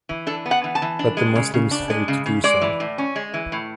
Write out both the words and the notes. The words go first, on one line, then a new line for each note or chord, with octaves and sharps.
But the Muslims failed to do so.
E3
D4 A4
B3
F#5
E3
A5
E3
D4
G#3
C#3
C#3
D4
G#3
C#3
C#3
G#3 D5
E3
A2
C#4
G#3
E3
A2